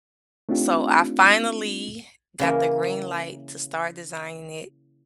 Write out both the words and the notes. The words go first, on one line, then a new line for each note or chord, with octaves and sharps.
so I finally got the green light to start designing it.
A3 C4 D4 D#4 F4 G4
C#3 E3 A#3